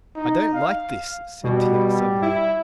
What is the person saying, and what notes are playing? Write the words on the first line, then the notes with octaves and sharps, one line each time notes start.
"I don't like this," said T. X., suddenly.
D#4
F5
B2 G3
E4